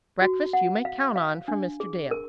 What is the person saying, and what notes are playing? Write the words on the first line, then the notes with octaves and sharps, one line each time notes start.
Breakfast you may count on from Mr. Dale.
F#4
F#5
F5
F5
D4
G#4
A#4